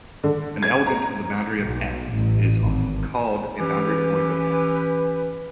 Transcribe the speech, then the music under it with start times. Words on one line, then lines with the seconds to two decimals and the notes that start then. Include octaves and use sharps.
An element of the boundary of "S" is called a boundary point of "S".
0.24 D3
0.63 G#6
0.87 A#5
1.61 B1
2.11 A1
2.62 G#1
3.59 E3 C#4 G4 B4